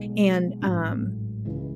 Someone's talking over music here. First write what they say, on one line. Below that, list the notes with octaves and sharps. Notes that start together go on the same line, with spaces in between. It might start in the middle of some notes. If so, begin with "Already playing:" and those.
and, um,
Already playing: B1 B2 G#3
A1 G#2 F#3 A3
C#2 C#3 E3 G#3